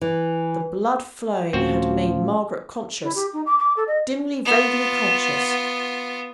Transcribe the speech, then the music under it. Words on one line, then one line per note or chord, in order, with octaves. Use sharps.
The blood-flowing had made Margaret conscious--dimly, vaguely conscious.
E3
D#2 A#2 F3 A3 C4 C#4 F#4
E4
G4
D#4
D6
D6
A4
D#5
B3 F4